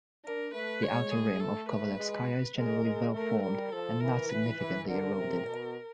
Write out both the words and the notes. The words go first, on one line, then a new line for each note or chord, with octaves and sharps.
The outer rim of Kovalevskaya is generally well-formed and not significantly eroded.
D4 A#4
A3 B4
G#3 C#5
G#4
A3 A4
B4
G#3
G#3 A#4
G#3
A3 A#4
G3 A#4
F3 A4
E3 A#4
E3 B4
E3
D3 A#4
C3
B2